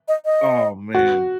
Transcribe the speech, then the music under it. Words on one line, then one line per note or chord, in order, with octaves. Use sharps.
Oh, man.
D#5
D#5
F#4